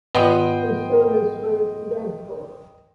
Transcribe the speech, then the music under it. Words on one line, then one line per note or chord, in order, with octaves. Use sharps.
His service was eventful.
G#2 D#3 B3 F4 D#5 G5 C6